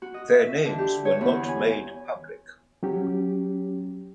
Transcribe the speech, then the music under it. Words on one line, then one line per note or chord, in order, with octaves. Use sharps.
Their names were not made public.
F#4
D#5
E5
D3
G4
C#5
E2
G#5
F#3 C#4 G4